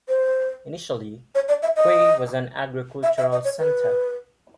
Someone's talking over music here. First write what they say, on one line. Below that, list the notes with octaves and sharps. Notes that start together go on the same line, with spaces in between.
Initially, Quay was an agricultural center.
C5
C#5
D5
E5
D#5
E5
E5
D#5
C#5
B4